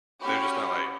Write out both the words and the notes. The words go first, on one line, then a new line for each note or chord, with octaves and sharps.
They're just not, like,
C#4 F#4 G4 B5